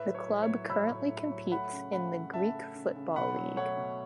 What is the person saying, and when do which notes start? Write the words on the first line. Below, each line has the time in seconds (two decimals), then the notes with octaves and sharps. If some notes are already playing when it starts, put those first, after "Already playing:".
The club currently competes in the Greek Football League.
Already playing: A2 B4 E5
0.08 F#3
0.15 C#5
0.28 A2
0.42 C#5
0.49 F#3
0.70 F#3 B5 E6
0.90 A2
1.11 A2
1.32 F#3
1.52 A3 F#5 B5
1.73 C#3
1.92 A3 F#5 B5
2.13 C#3
2.33 C#3 E5 A5
2.54 A3
2.75 C#3
2.96 C#3
3.16 B2 F#5 B5
3.36 F#3
3.57 A3 C#5 F#5
3.77 B2